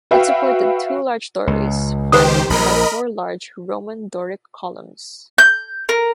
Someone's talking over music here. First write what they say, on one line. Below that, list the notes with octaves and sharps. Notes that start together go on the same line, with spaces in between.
It supported two large doorways flanked by four large Roman Doric columns.
F#4 B4 E5 F5 G5
C#2
D#3 G4 B4 C5 D#6
A#1 A#4 D#5 B5
G6
A#4